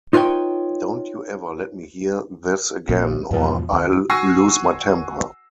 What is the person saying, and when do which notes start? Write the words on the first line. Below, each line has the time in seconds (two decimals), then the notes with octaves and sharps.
Don't you ever let me hear this again, or I'll lose my temper.
0.13 D#4 F4 B4 C#5 G5
2.89 A#1 A#2
3.31 E2 G#2 B2 F3
3.73 D#2
4.10 F#4 G#5 C#6 E6 A#6 C7